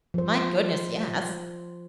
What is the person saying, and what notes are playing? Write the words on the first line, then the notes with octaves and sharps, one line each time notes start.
"My goodness, yes!"
F3 C5